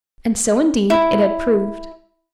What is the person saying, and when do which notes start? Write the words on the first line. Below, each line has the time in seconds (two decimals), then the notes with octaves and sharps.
And so, indeed, it had proved.
0.90 E4